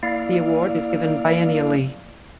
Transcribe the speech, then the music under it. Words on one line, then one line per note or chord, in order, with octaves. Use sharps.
The award is given biennially.
A#3 E4 D5 F5